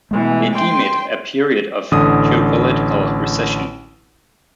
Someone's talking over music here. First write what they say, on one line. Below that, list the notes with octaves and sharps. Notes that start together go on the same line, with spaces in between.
They deem it "a period of geopolitical recession".
B2 E3 G#3 A3
G5 C6
A1 D3 D#6